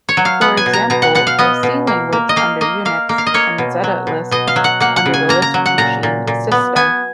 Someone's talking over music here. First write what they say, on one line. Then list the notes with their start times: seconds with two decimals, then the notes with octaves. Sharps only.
For example, the C language under Unix, and Zetalisp under the Lisp Machine system.
0.09 C#5
0.17 F#3
0.25 F5
0.41 B3 F#5
0.57 G#5
0.66 B2
0.73 A#5
0.90 B2 A#5
1.02 F#5
1.15 B2 F#5
1.27 F5
1.38 B3 D#5
1.63 B2
1.87 A#3
2.13 A#3
2.29 D#5
2.36 A#3 F5
2.61 A#3 D#5
2.85 A#3 F5
3.09 A#3
3.18 F5
3.27 D#5
3.34 A#3 C#5
3.58 B2
3.84 F#3
4.07 B2
4.31 B2 D#5
4.47 F5
4.56 F#3
4.64 F#5
4.80 A#3 F#5
4.96 F#5
5.06 C#3
5.14 G#5
5.29 A#3 A#5
5.42 A#5
5.54 F#3
5.66 F#5
5.78 A#2 A#5
6.03 A#2
6.27 A#2
6.52 B3
6.76 B3 G#5